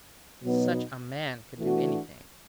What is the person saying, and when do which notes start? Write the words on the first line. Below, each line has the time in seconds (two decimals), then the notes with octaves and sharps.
Such a man could do anything.
0.41 B2 F#3 B3 D#4
1.58 E3 A3 D4 F#4